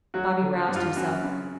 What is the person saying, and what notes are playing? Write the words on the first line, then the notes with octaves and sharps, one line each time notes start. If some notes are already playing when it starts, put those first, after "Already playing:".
Bobby roused himself.
F#3 F#4
D3
F#4
G2
F4
F#2 F#4
C#3